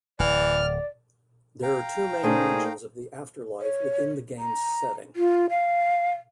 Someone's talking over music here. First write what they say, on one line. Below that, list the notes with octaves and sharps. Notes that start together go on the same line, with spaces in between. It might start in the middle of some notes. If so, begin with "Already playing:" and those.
There are two main regions of the afterlife within the game's setting.
D1 E3 D5 F6
F5 G5 A#5
A#2 A3 D#4 G#4 C5
C#5
A#5
F4
F5